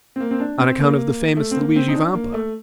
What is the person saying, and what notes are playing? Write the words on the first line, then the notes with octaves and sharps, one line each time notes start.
"On account of the famous Luigi Vampa."
C4
A#3
C4
D4
C4
A#3
A3
C4
A#3
A#3
C4
D#4
D4
A#3
A3